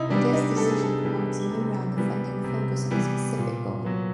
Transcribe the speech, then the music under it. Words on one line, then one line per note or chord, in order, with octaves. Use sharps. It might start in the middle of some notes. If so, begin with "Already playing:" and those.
This decision marks a new round of funding focused on a specific goal.
Already playing: C3 D#4 E4
E3 G3 B3 D4
D#4
C3 A4
G#4
A4
E3 G3 B3
C3
E3 G3 B3
C3
E3 G3 B3
A#2
F#3 B3